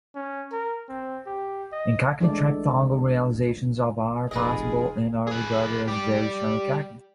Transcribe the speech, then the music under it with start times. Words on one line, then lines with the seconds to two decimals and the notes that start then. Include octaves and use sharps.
In Cockney, triphthongal realizations of are possible, and are regarded as "very strongly Cockney".
0.16 C#4
0.52 A#4
0.89 C4
1.26 G4
1.72 D#5
2.20 D3 E3 G#3 A3 A4 D5
4.31 F1 G#3 F4 G#4 B4 D#5
5.27 G#4 B4
5.88 G4 D5